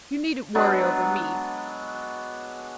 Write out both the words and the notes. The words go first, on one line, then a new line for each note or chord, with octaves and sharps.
You needn't worry over me.
F#3 G#3 B3 D4